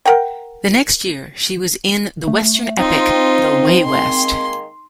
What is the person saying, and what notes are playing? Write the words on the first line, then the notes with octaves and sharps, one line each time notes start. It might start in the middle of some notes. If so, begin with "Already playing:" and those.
The next year she was in the Western epic "The Way West".
A#4 F#5 G5
A3
C4 D#4 F4 C5
D#3 G#3 A#3 C6